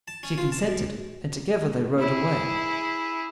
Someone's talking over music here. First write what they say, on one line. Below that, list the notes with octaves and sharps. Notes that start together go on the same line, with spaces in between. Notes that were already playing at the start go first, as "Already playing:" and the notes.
She consented, and together they rode away.
A5
C#4
F4
A5
F#2
E4 G#4